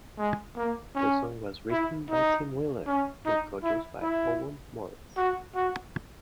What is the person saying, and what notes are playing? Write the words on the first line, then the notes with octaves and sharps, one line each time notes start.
The song was written by Tim Wheeler and produced by Owen Morris.
G#3
A#3
C#4
E4
D#4
C#4
D#4
E4
E4
F#4
F#4